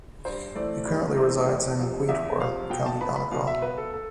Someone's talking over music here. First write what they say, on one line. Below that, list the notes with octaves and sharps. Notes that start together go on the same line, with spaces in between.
He currently resides in Gweedore, County Donegal.
G2 C5
E3 A3 C4 D5
G2
E3 A3 C4
E2
C3 F3
E2 E5
C3 F3 F5
B2 G5
A5
B3 B5
B5
B2 F5
E5
B3 B4
A4
A4